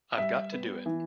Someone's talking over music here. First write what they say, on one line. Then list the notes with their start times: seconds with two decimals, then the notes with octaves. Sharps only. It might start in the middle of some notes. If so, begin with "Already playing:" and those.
I've got to do it.
0.18 G3 E5
0.52 B3
0.86 E3